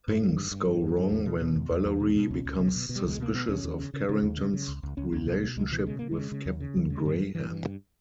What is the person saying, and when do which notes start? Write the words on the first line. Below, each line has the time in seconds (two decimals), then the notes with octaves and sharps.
Things go wrong when Valerie becomes suspicious of Carrington's relationship with Captain Graham.
0.08 G2
0.22 G2
0.37 G2
0.51 G2
0.66 G2
0.81 G2
0.97 G2
1.12 E2
1.26 B2
1.40 B2
1.56 E2
1.70 E2
1.85 E2
2.00 B2
2.16 B2
2.30 C#2 C#4
2.45 C#2
2.59 B2
2.75 B2
2.89 B2
2.96 G3
3.04 C#2 G#3
3.20 B2 A#3
3.34 B2 B3
3.49 D#2 C#4
3.64 D#2
3.79 C#3
3.94 C#3
4.09 C#3
4.23 D#2
4.38 C#3
4.54 C#3
4.68 C#2
4.83 C#2
4.97 C#2 C#4
5.12 C#2 C#4
5.27 B2 B3
5.42 B2 A#3
5.56 C#2 G#3
5.71 B2 E3
5.86 C#3 G#3
5.99 C#3 A#3
6.11 G#3
6.17 C#3
6.32 C#3
6.46 D#2
6.60 C#3
6.76 D#2
6.90 C#3
6.96 G#3
7.05 G2 G3
7.20 G2
7.35 G2 E3
7.50 G2
7.65 G2